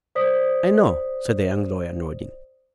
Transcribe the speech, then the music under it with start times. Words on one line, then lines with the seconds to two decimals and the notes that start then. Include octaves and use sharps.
"I know," said the young lawyer, nodding.
0.15 C5 D5 D#6 B6